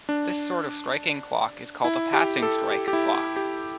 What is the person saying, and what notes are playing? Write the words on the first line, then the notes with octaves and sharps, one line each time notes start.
This sort of striking clock is called a "passing strike" clock.
D4
E4
G4
A4
G4
G4
E4
E4
G4